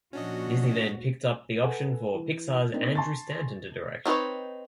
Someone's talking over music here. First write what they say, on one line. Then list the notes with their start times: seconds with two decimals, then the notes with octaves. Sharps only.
Disney then picked up the option for Pixar's Andrew Stanton to direct.
0.13 A#2 F3 C#4 D4 F#4 D#5
1.63 A4 B4 F#5 G#5
2.14 E3
2.74 A#3 C4 D4 D#4
2.95 G#5 A5 C6 C#6 A6
4.06 C4 D#4 G#4 B4 C#5